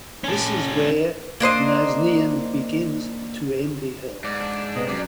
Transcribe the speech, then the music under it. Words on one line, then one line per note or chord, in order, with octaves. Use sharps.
This is where Nazneen begins to envy her.
C#4 A4
A#3 D4 C5 D#5
G#2 D5
D4
C3 G#3 B3 D#5
F#2 D5